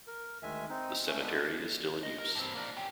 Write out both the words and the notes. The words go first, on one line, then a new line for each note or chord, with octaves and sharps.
The cemetery is still in use.
A#4
D2 D#3 G#3 E5 G#5
C4 D#4
A3 C#4
G#3 B3 D4 E5
D#5
A#4
G2 C4
A#3 D4
C#4 G4